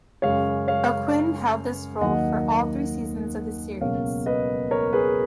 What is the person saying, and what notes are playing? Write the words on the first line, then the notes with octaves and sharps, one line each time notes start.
O'Quinn held this role for all three seasons of the series.
F#2 C#3 G#3 C#5 F5
C#5 F5
D#2 D#3 F#3 A#3 D#5 F#5
C#2 B2 F#3 A#3 C#5 F5
B4 D#5
A#4 C#5
G#4 B4